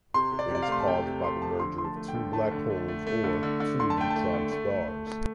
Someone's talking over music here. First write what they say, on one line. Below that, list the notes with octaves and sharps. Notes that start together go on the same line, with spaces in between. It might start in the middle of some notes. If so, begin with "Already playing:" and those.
It is caused by the merger of two black holes or two neutron stars.
C3 C6
C3
D5
C3 D5
F5
A3 C6
A5
C3 G5
C3
A3 C6
F3 A5
D3 C6
A3 C6
A5
A3
G5
D3
A3 A5
D3
A3
A3
A3
D3
D3
D3
D3 C6
A5
A3 G5
A5
A3
D3
A3
A3
A3
A3